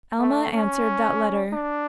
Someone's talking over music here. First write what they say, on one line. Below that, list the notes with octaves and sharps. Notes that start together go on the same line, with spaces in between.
Alma answered that letter.
A3
C#4
D4